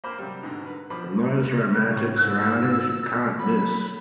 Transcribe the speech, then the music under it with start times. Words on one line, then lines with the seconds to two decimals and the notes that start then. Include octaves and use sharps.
In those romantic surroundings you can't miss.
0.04 A#3 C5 B5 D6 F6
0.18 C3 F#3 G3
0.43 G#2 B2 D3
0.64 D3 A#4 B4
0.90 B2 F3 B5 D6
1.93 A2 C#6
2.16 G#2 E6
3.39 F#3 B5